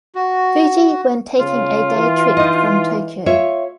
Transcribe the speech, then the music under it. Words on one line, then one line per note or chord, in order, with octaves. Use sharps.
Fuji when taking a day trip from Tokyo.
F#4
C#3 F4
E3
D#4 D#5
F4 C#5 E5